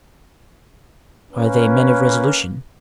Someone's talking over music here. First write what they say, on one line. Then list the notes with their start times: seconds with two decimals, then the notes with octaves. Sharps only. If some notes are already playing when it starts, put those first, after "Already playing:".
"Are they men of resolution?"
1.31 A#3 C#4 B4